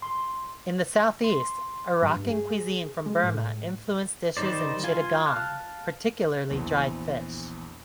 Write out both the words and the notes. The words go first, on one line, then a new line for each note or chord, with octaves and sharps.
In the southeast, Arakan cuisine from Burma influenced dishes in Chittagong, particularly dried fish.
C6
C6
G2
G#4
G#3
A2
D#3 G3 D#4 C5 D5
F4 G#5
F5 A5 F6 F#6
A#1 E2